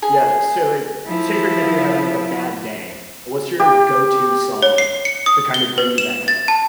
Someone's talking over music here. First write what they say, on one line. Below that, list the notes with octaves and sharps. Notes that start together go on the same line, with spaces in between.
Yeah, so, like, say, for example, you're having, like, a bad day. What's your go-to song to kind of bring you back up?
G#4
F3 E4
G4
C#5
C7
C#7
D#6
G7
B4
E7
A6
A5